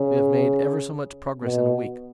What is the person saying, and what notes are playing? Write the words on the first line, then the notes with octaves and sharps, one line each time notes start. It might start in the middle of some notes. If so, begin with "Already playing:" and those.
We have made ever so much progress in a week.
Already playing: C#3
B2